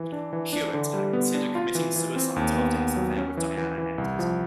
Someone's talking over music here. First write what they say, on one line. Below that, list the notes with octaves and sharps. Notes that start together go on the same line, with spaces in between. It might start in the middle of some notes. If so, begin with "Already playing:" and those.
Hewitt had considered committing suicide after his affair with Diana ended.
Already playing: E3
D4
E3
D4
D3
G3
B3
D4
F4
E3
E3
C4
D#2
B3
B3
F#3
C#4
E3
E3
E3
C2
F3